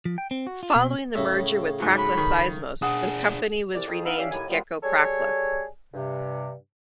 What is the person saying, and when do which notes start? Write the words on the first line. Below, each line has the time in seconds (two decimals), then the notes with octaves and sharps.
Following the merger with Prakla-Seismos the company was renamed Geco-Prakla.
0.05 F3
0.18 G5
0.31 C4
0.47 F#4
0.63 F4
0.75 B2
1.15 A2 C#3 E5
1.80 G#2 F#3
1.98 B5
2.17 D#3
2.82 D4 G#4 F#5 D#6
3.74 C2 D5
3.87 F2 G#4
4.05 B3 D#4 B4 F5 F#5 E6
4.18 C#4 G4 D5 E5 F5
4.31 D#2 A2 G#5
4.49 A#2 F3 G3 G#3 B3
4.83 G3 G#4 A4 C#5
5.94 G2 C3